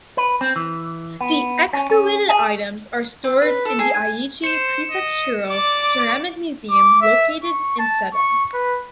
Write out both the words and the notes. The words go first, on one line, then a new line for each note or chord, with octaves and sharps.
The excavated items are stored in the Aichi Prefectural Ceramic Museum located in Seto.
B4
C4
E3
B3
C#4
C#4
G#4
C4
B4
A4
G#4
G#5
C5 C#7 E7
D#5
D5 D6
D6
E5
C#6
A5
C#6
B4